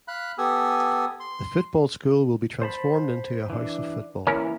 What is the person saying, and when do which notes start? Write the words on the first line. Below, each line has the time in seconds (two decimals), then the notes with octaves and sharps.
The football school will be transformed into a House of Football.
0.08 F5 B5 F#6
0.38 B3 G4 A4 G#5 D#6 E6
1.20 C6
2.62 C5 A5 B5
3.50 E3 D4
4.27 E3 A#3 C#4 E4 A#4